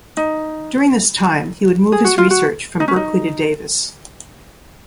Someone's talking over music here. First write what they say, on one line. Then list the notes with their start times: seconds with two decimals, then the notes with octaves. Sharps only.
During this time, he would move his research from Berkeley to Davis.
0.17 D#4
1.92 G#4
2.04 F#4
2.18 F4
2.30 F#4
2.80 D#4
2.88 C#4
2.96 D#4